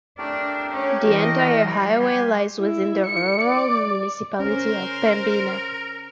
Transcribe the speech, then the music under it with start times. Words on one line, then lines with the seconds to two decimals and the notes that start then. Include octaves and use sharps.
The entire highway lies within the Rural Municipality of Pembina.
0.18 A3 D4 G4 A#4
0.71 C#4
1.06 E3 D#5
1.63 G3
1.99 G4 G#5 C6
2.59 E4
3.06 C#7
3.42 D5
4.40 C#4 A#4 C5